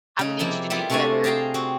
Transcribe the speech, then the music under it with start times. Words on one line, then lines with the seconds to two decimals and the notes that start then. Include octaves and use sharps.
Imma need you to do better.
0.19 C#3 D#4
0.39 C3 F3 A#3 E4
0.70 G3 B3 E4 F4
0.90 C3 A3 D4 F4 F#4 G#5
1.24 G#4 F5 G5 A5 A#5
1.54 C4 F#4